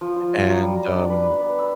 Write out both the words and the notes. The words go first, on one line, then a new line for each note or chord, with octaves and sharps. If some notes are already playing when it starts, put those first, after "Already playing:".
and, um,
F3
F4
F5
F#3
G3
A#5
D4
B4
B3
E6